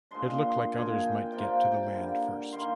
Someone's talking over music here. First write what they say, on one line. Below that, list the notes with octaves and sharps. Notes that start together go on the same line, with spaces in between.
It looked like others might get to the land first.
A#2 G#3 D4 C6
C6
A#2 G#3 D4 G#5
G5
C3 F3 A#3 D4 G5
G5
D3 G3 A#3
D#3 G3 A#3 C6